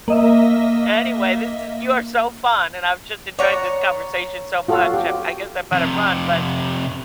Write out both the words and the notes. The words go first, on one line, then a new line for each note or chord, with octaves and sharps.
Anyway, this is you are so, fun and I've just enjoyed this conversation so much. I'm I guess I better run, but
A#3 D#5 E5
C#5 D5 F#5 A#5
F4 F#4 A4
G4
F2 C3